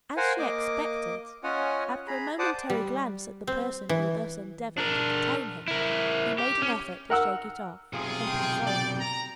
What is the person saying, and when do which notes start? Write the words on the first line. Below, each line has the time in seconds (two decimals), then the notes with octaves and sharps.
As she expected, after a momentary glance at the person who thus endeavoured to detain him, he made an effort to shake it off, and pass on.
0.17 A#4 C5 F5 F#5 G#5
0.39 A#3 D#5 D6
1.44 C#4 F4 C#5 D#5 F#5 G#5
2.07 G#4 A#5 B5
2.39 C5 D5 F#5 A5 D6 D#6
2.70 G3
3.47 C4
3.89 E3
4.78 D4 A#4
5.68 E4 A#4
6.38 G4
6.62 C#4
7.10 A#4 F#5 E6
7.93 B1 C3 F4 G#4
8.29 G5
8.65 D5
9.00 A#5